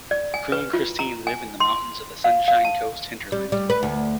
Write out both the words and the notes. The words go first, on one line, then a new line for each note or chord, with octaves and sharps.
Crew and Christine live in the mountains of the Sunshine Coast Hinterland.
D5
G#5
B4
F4
A#5
G#5
C6
F5
F5
A5
G3
G3
B4
D2